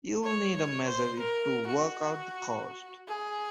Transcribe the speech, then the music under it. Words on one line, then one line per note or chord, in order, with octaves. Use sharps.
You'll need to measure it to work out the cost.
C#5
C#5
C5
A#4
F#4
G#4